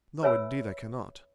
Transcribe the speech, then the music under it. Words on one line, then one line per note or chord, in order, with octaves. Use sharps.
"No, indeed, I cannot."
B4 C#5 E5 G#5 B5 E6